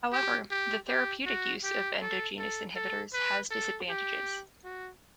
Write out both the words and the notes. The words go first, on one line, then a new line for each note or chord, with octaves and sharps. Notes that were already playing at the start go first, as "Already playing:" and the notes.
However, the therapeutic use of endogenous inhibitors has disadvantages.
G4
G4
G4
F#4
G4
A4
A4
A4
B4
A4
G4
F#4